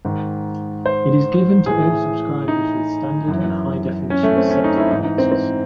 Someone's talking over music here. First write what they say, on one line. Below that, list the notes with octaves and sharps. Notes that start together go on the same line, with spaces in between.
It is given to all subscribers with standard and high definition set-top boxes.
G#2 D#3
C5
A2 E3 G#4
D#4
F#2 E3
C#4
A3
C4
C#4
D#4
E4
G#2 E3 D#4
D#4
C4
C4